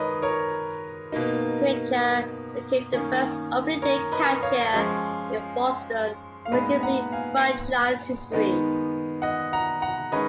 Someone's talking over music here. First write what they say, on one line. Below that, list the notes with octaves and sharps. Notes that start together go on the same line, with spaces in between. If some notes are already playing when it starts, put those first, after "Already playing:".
Criger became the first Opening Day catcher in Boston American League franchise's history.
Already playing: D#3 G#3 D#4 A#4 B4 C#5 D#5
A#4 C#5
B2 A#3 D#4
D#3 A#3 C#4
A#4 C#5
B4 D#5
C#5 F5
F3 G#3 C#4
F5
A#2 G#3 B3 D#4 B4 D#5
F#5 A#5
F5 G#5
D#3 G#3 B3 D#4
D#5 F#5
F#5 A#5
F#5 A#5
D#3 G#3 C#4 B4 D#5